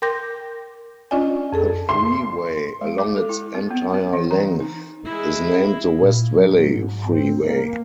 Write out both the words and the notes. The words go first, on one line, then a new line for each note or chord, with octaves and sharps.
The freeway, along its entire length, is named the West Valley Freeway.
A#4 G5 C6 D6 G6 A#6
C#4 D4 F4 D5 D#5 G#5
F2 G#4 A4
C6
G#3
D6
A4
E4
C4
B3
C4
E3
A#5
D#4
G#3 E4
A#2
F#3
G#2
C4
A#3